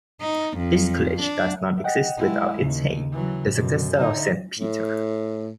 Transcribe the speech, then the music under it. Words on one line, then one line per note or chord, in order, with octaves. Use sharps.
This college does not exist without its head, the successor of Saint Peter.
D#4
F2
D4
D#5 F#5 G5
G#3 E4
D#2 C#3
E3 F#3
F#2 B2
D3 D#4
A2